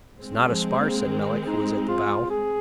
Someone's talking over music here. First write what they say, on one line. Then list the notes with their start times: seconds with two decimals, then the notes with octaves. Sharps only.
"It's not a spar," said Melick, who was at the bow.
0.21 G#3 C4
0.49 F3
0.77 A#3
1.05 D#3
1.47 D#4
1.89 F4
2.30 G#4